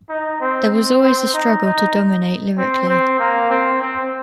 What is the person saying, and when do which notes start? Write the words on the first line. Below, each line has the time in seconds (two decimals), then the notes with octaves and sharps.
There was always a struggle to dominate lyrically.
0.09 D#4
0.40 C4
0.72 C4
1.03 C4
1.34 D#4
1.65 D#4
2.58 C4
2.89 C4
3.19 A#3
3.50 C4
3.82 C4